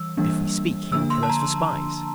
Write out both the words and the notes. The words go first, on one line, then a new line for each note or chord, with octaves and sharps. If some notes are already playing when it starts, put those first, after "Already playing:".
But if we speak, he will kill us for spies.
Already playing: E3 G3 E6
E3 G3 A#3 D4
D3 F3 A#3 D4 E6
C6
A5
A#5